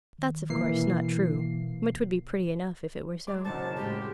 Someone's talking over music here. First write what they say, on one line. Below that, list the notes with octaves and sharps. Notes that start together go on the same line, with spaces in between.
That's, of course, not true: but 'twould be pretty enough if it were so.
D#3
B2 E3 A#3 C7
G#3 D4 D#5 D6
F#1 F#3 A3 C4 D4 D#4 A5
F4 C#5
A2 G3 G#3 G4